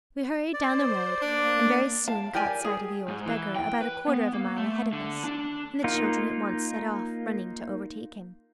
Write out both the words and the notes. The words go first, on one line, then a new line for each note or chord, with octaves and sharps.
We hurried down the road, and very soon caught sight of the old Beggar, about a quarter of a mile ahead of us, and the children at once set off running to overtake him.
C5 D5
A#3 D4
F5 A5
G4 A#4 D5 G#5
G#4
G#2
E3
G5
B4
B3
A#3
A3
D3
D4
A#3 D#4 F4